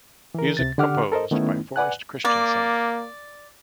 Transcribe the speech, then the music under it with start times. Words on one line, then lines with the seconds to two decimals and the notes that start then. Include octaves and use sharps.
Music composed by Forest Christenson.
0.35 E3 A#4
0.57 C#2 C3 A6
0.78 D3 G4 F#5 D6 F6
1.12 A4 A#4 C5 D#5
1.31 D#3 A3 B3 C#4 D#4 E4
1.76 B4 D5 F#5 G#5 F#6
2.25 A#3 D5